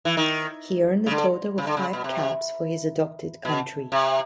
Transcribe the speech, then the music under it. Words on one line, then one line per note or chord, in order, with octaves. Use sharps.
He earned a total of five caps for his adopted country.
E3
D#3
C#3
D3
C#3
D3
C#3
B2
C3
B2
C3